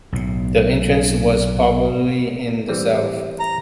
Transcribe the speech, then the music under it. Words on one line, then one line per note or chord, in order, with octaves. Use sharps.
The entrance was probably in the south.
B1 A2
E3 G3 C4
A#5